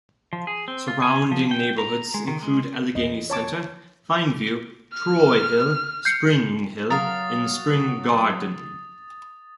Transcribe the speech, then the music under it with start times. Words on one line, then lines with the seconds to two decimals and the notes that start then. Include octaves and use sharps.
Surrounding neighborhoods include Allegheny Center, Fineview, Troy Hill, Spring Hill, and Spring Garden.
0.33 F3
0.47 G#4
0.68 C4
0.88 F4
1.02 G#5
1.32 F3
1.51 G5
1.78 A#5
2.14 G#3
2.28 D#3
2.43 G#3
2.95 E2 D#5
3.30 C#5 A5 D6
4.94 F6
6.05 G6 C7 C#7
6.90 F#3 A#4 F5 D#6 A6